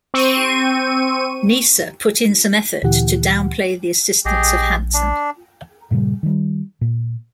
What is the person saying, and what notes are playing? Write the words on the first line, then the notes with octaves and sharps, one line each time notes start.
Neisser put in some effort to downplay the assistance of Hansen.
C4 C#6 D#7
D2 A#2 E3 G4 F#5
A#1 G4 G#4 D#5
D4
G2 A#2 C#3 G3
D#3 G3
A#2